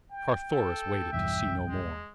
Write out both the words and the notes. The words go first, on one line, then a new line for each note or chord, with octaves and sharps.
Carthoris waited to see no more.
G5
A4
B1 E2 G2 E5
G#3